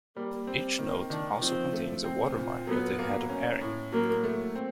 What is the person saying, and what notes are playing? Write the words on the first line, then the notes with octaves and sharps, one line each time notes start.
Each note also contains a watermark of the Head of Erin.
G3 A#3
C4
D#3 A#3
D#3 D4
F3 C4
A3
C4
A#2
F#3 B3
A#3
C#4
A2
F#3 A#3
A3
C4